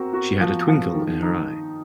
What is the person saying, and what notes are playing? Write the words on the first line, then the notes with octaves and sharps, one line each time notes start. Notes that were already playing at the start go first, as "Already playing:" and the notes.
She had a twinkle in her eye.
Already playing: C4 F#4 A#4
F#4
F3
F3
D#3
D#4